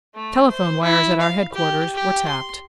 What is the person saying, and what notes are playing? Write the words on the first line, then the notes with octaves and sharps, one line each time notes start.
Telephone wires at our headquarters were tapped.
A3
C5
E4
F5
G4
G4
C6